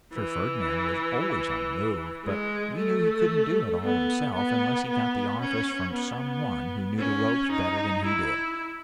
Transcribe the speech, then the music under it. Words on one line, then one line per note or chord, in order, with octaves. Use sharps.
Sir Ferdinand was always on the move, but we knew he couldn't do it all himself unless he got the office from some one who knew the ropes better than he did.
E3
G#3
A3
B3
B3
B3
C#4
B3
C#4
D#4
E4